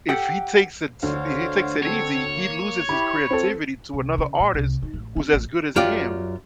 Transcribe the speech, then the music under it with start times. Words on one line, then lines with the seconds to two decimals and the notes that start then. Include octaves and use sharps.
if he takes it s he takes it easy, he loses his creativity to another artist who's as good as him.
0.09 G4 A4 F#5 G5
1.03 D2 D3 C5 C#5 F5
1.83 C4 A4 C#5
2.32 A#3
2.89 E4 G4 B5
3.31 C4 F4 A4
3.94 C2
4.18 C#3
4.40 A#2
4.54 C2
4.83 D#4
4.94 A1
5.16 C4
5.33 A1
5.76 F#2 F4 G4 D5